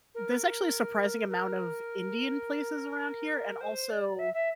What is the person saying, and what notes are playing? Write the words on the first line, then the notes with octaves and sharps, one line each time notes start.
there's actually a surprising amount of Indian places around here and also
A#4
A#4
C5
D5
E5
E5